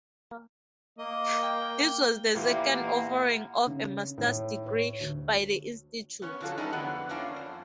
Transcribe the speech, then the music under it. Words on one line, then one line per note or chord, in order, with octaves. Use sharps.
This was the second offering of a master's degree by the Institute.
A#3 D#5
G5
A#2 E3 A#3 G4 E5 F#5 B5
C#3
A2
C#5
D2
B3 C#4 C#5
D3 F3 F#3 E4 F4 A4
E3 G3 G#3 C#4 D#4
F2 D3 B3 F#5
A3 A#3 C#4 D4 F4
F2